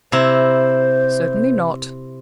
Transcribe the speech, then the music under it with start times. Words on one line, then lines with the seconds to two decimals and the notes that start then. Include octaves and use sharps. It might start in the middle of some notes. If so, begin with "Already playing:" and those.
"Certainly not."
0.12 C3 E4 C5 A#5